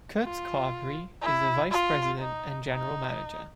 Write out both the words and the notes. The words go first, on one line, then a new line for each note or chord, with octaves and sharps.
Kurt Carberry is the vice president and general manager.
F4
E4
F4
D#4
D#4